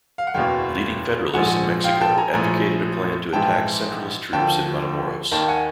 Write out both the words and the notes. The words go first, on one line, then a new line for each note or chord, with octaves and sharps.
Leading federalists in Mexico advocated a plan to attack centralist troops in Matamoros.
F5
F#5
F#1 E2 B2 F5 G5
A#1 G#2 F3 F#5 G#5
F5 G5
G5 A5
G#5 A#5
A#1 A2 F3 G#5 A#5
A#1 G#2 E3 G5 A5
D#2 D3 F3 G5 A5
D#2 D#3 G5 A5
F#5 G#5